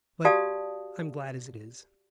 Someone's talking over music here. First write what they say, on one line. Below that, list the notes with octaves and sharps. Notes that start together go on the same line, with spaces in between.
But I am glad as it is!
F#4 G4 D5 F5 A5 D#6